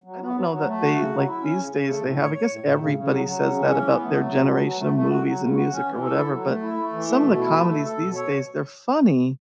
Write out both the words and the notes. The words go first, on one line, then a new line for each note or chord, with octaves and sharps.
I don't know that they like, these days, they have I guess everybody says that about their generation of movies and music, or whatever, but some of the comedies these days, they're funny,
F#3
B3
F#3
F#3
A3
F#4
C#3
F#3
E4
C#4
C#3
C#3
A3
A2
C#5
C#5
A2
A2
C#3
C#3
F#3
F#3
C#3
C#4
E3
B3
A3
F#3
B2
F#3
F#3
A3
A3
F#4
F#3
C#3
F#4
C#4
E3
A4
E4
F#3
A3
E4
A3
E3
A3
B2
E4
A3
A4
A4
B2
C#5